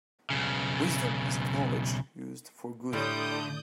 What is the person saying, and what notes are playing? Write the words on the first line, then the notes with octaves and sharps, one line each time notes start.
Wisdom is knowledge used for good.
B1 C#3
A2 D3 G3 D5 D#6 G6